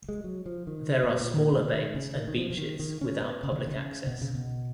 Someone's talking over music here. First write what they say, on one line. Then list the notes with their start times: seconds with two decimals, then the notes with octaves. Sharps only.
There are smaller bays and beaches without public access.
0.09 G#3
0.24 F#3
0.46 F3
0.67 D#3
1.04 B2
1.20 A#2
1.37 A#2
1.53 B2
1.74 D#3
1.95 C#3
2.15 D#3
2.28 D#3
2.37 F3
2.50 F3
2.58 D#3
2.80 D#3
3.01 C#4
3.22 B3
3.43 C#3
3.52 D#3
3.60 C#3
3.67 D#3
3.75 C#3
4.07 B2
4.21 C#3
4.35 B2